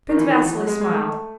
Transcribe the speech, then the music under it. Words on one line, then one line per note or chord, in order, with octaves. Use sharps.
Prince Vasili smiled.
D#3
E3
D#3
E3
F#3
G#3
G#3
A3